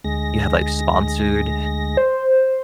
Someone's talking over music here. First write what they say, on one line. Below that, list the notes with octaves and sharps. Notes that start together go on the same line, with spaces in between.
you have, like, sponsored,
D2 G#3 A#6
C5